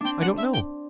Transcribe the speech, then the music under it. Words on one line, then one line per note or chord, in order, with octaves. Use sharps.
"I don't know."
C4 D4 G5
F#5
E5
G5